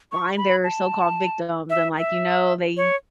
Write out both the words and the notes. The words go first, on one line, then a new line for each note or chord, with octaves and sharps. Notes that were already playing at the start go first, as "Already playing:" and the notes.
find their so-called "victims," and, like, you know, they
C#6
B5
A5
E5
E5
C#5